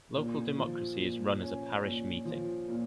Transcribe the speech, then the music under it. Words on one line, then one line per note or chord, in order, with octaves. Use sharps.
Local democracy is run as a Parish meeting.
A#2
F3
A#2
C#4
A#2
F3
A#2